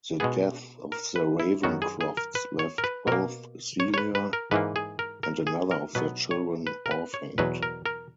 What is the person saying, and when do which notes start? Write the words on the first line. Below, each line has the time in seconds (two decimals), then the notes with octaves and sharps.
The death of the Ravenscrofts left both Celia and another of their children orphaned.
0.20 B2 G#3 B3 G#4
0.92 A#4
1.16 B4
1.40 E4
1.63 F#2 D#3 F#3 B3 F#4
1.82 G#4
2.01 G#4
2.17 A#4
2.35 B4
2.59 C#5
2.78 A#4
2.84 B4
3.07 B2 A#3 A#4
3.80 C#5
3.94 C#5
3.98 B4
4.15 B4
4.33 A#4
4.51 G#2 E3 A#3 B4
4.76 G#4
4.99 A#4
5.23 A#4
5.47 G#4
5.71 A#4
5.95 B2 F#3 B3 B4
6.31 C#5
6.67 B4
6.86 A#4
6.91 B4
7.14 C#5
7.38 E2 B2 F#3 B4
7.63 A#4
7.86 A#4